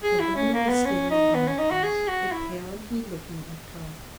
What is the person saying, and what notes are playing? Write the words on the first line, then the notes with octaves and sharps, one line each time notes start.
A woman was standing on the path, apparently looking at her.
G#4
E4
C#4
A#3
B3
C#4
D#4
B3
C#4
D#4
F#4
G#4
F#4
E4